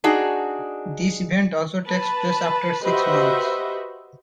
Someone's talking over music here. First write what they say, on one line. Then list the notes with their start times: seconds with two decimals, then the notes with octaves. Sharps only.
This event also takes place after six months.
0.04 D4 D#4 F#4 G#4
1.85 B4 A5
2.84 F#4 G4 B4 C5 D#5 E5